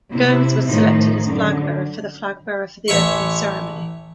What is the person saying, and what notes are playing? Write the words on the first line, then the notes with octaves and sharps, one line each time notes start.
Gomes was selected as flag bearer for the flag bearer for the opening ceremony.
C3 E4
A2 D#3 F3 A3 D#4
F#2 D3
A1 C#5 E5 C#6